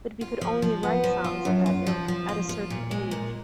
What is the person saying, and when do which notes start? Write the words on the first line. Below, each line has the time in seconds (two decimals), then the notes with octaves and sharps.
But we could only write songs of that ilk at a certain age.
0.21 F4
0.41 F3
0.62 F3
0.83 B3
1.04 F3
1.24 F4
1.45 F#2
1.66 F4
1.87 F3
2.08 F3
2.29 F4
2.49 F4
2.70 A#2
2.91 G#3
3.11 A#2